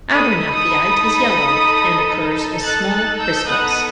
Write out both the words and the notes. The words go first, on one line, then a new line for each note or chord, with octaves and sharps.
Abernathyite is yellow and occurs as small crystals.
D#4 A4 B5 D#6
B5 D#6
F#6 A6
F#6 A6
E6 G6
B3 D#4 A4 D#6 F#6